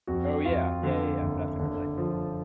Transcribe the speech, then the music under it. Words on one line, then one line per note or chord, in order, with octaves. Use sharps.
Oh, yeah. Yeah, yeah, yeah, definitely.
F2 F#4
F2 F4
D3
F#1
D3
F3